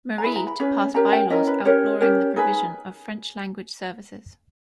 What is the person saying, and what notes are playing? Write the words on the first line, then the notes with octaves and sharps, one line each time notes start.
Marie to pass bylaws outlawing the provision of French language services.
A#5
E4 G#4 B4 B5
A#5
B5
C#4 G#4 B4
C#4 G4 A#4 A#5
G5
C#4 E4 A#4 D#5
B4
C#4 G4 A#4 C#5
C#4 G4 A#4
D#4 G#4 B4